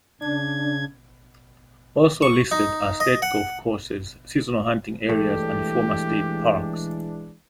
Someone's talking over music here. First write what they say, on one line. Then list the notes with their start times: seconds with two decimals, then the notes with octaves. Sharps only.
Also listed are state golf courses, seasonal hunting areas, and "former" state parks.
0.21 C#3 D4 G#6
2.22 C#6
2.51 D#4
3.00 D#5
3.22 F#5
5.09 E3 G#3 A3 D4 G4